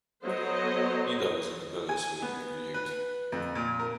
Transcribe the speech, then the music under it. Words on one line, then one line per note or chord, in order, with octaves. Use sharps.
Edda was a rebellious woman in her youth.
F#3 B3 A4 C5 C#5 D#5
G#5
B3
B4
F2
A#2
A#4